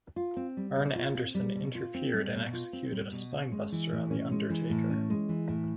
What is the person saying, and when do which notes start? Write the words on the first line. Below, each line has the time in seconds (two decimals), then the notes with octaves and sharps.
Arn Anderson interfered and executed a spinebuster on The Undertaker.
0.16 F4
0.37 C4
0.57 G3
0.77 B2
0.96 F4
1.15 C4
1.35 G3
1.55 B2
1.75 F4
1.94 C4
2.13 G3
2.33 B2
2.53 F4
2.73 C4
2.92 G3
3.12 B2
3.32 C#4
3.52 G#3
3.72 E3
3.92 A2
4.11 C#4
4.31 G#3
4.50 E3
4.70 A2
4.90 C#4
5.10 G#3
5.29 E3
5.48 A2